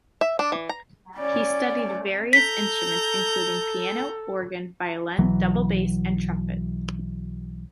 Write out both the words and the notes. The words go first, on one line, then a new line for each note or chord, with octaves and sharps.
He studied various instruments including piano, organ, violin, double bass, and trumpet.
E5
D4
E3
A#5
C#4 D5
A4 A#5 G6 B6
B1 E3 F#3